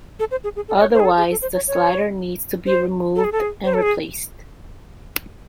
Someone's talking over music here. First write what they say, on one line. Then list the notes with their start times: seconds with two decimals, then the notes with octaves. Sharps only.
Otherwise the slider needs to be removed and replaced.
0.20 A4
0.31 C5
0.44 G#4
0.56 G#4
0.68 A4
0.77 D#5
0.81 C#5
0.94 C5
1.00 G#4
1.05 A4
1.17 G#4
1.31 A4
1.42 C5
1.55 C#5
1.68 C#5
2.66 C5
3.16 A4
3.24 G#4
3.32 A4
3.40 G#4
3.65 C5
3.74 A4
3.82 G#4